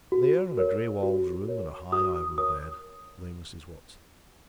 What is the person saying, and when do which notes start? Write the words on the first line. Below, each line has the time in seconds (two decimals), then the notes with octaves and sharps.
There, in a gray-walled room in a high iron bed, lay Mrs. Watson.
0.12 F#4
0.57 A#4 C#5
1.03 F#4
1.48 A#4 C#5
1.92 F#4 D#6
2.16 D#6
2.38 A#4 C#5 D#6